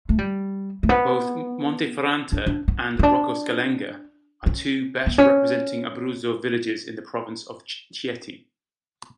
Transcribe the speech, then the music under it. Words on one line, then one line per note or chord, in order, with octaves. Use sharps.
Both Monteferrante and Roccascalegna are two best-representing Abruzzo villages in the province of Chieti.
A3
G3
A3
B3
D4
D4
B3
C#4
D4
C#4
B3
C#4